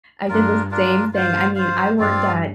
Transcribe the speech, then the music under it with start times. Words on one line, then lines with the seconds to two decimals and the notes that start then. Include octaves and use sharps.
I did the same thing. I mean, I worked at
0.29 G2 D4 F4 A#4
0.71 D4 F4 A#4
1.13 G2 F4 C5 F5
1.56 F4 C5 F5
1.98 G2 C4 F4 D5 F5